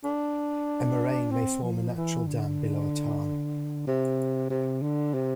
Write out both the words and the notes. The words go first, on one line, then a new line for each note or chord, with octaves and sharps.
A moraine may form a natural dam below a tarn.
D4
C4
F3
E3
D3
C3
C3
D3
C3